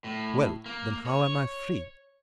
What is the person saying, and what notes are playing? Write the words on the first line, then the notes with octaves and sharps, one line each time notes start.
"Well, then, how am I free?"
A2
A#3
C#5